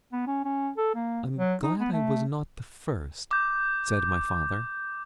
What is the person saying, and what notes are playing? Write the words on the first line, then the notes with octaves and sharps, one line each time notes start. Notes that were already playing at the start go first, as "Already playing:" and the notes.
'I'm glad I was not the first,' said my father.
B3
C#4
C#4
A4
A#3
F#3
D#4
B3
A3
D6 G6